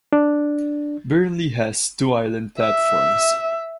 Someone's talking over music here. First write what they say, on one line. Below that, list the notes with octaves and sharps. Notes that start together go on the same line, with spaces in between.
Burnley has two island platforms.
D4
E5